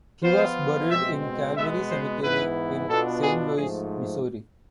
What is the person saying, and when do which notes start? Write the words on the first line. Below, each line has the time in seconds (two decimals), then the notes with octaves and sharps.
He was buried in Calvary Cemetery in Saint Louis, Missouri.
0.23 F3 B3 F4 C5
0.90 B2 G#3 C4 E5
1.57 B2 G#3 B3 E5
1.90 C5
2.23 G#2 E3 B3 E4 B4
2.89 B2 B3 D4 F4 A4
3.23 G#4
3.56 G#2 F3 A3 G#4